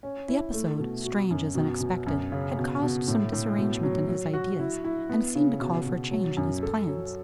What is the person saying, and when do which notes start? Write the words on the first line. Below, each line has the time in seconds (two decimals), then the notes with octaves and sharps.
The episode--strange as unexpected--had caused some disarrangement in his ideas, and seemed to call for a change in his plans.
0.03 C#4
0.28 E4
0.54 A3
0.79 B2
1.05 F#4
1.30 F#2
1.55 B2
1.80 B2
2.06 F#2
2.32 C#3
2.57 B2
2.82 B2
3.08 A2
3.32 A2
3.58 B2
3.83 F#3
4.09 F#3
4.33 F#4
4.60 E4
4.84 E4
5.10 B3
5.35 C#3
5.60 B2
5.86 B2
6.11 F#3
6.37 F#2
6.63 A4
6.88 F#3